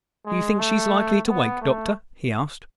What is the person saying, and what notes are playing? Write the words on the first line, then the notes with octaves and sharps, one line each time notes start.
"Do you think she is likely to wake, Doctor?" he asked.
G#3
A3
B3
A3